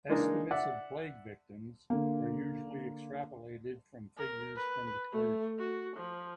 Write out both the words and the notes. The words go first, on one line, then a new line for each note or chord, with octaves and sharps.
Estimates of plague victims are usually extrapolated from figures from the clergy.
E3 G#3 A#3 D4 D#4
D5 E5 F#5
D3 A#3
A#4
B4
A3
F#4
F3